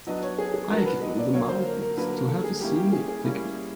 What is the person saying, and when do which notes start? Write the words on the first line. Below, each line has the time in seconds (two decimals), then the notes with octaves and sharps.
Hiking in the mountains to have a scenic picnic.
0.07 F#3 B3 D4 D#5
0.23 C#5
0.39 G#4
0.54 G#4
0.70 F#3 B3 D4 A#4
0.86 B4
1.02 D#5
1.18 D5
1.34 D3 F#3 A#3 D4 C#5
1.49 C5
1.65 A#4
1.82 A#4
1.97 D3 F#3 A#3 D4 B4
2.12 A#4
2.28 A4
2.44 G#4
2.60 G3 A#3 C#4 E4 G4
2.76 G4
2.92 G#4
3.08 G#4
3.24 G3 A#3 C#4 E4